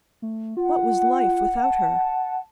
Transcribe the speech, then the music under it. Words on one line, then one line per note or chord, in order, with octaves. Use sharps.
What was life without her?
A3
F4 F#5
A5